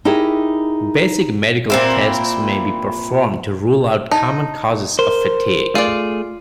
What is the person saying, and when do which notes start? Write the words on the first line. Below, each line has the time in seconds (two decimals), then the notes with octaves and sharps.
Basic medical tests may be performed to rule out common causes of fatigue.
0.05 D#4 E4 G4 G#4 A#4
1.70 A#2 C4 E4
4.11 D#4 A5
4.99 A#4 C5
5.75 A3 F4 G#4 D5